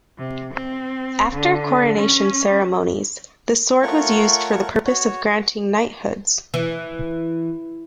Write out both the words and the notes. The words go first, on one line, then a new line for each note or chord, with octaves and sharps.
After coronation ceremonies, the sword was used for the purpose of granting knighthoods.
C3
C4
D3
C#4
A3 F4 A#4 C#5 F#5 C#6
F#4 C#5
E3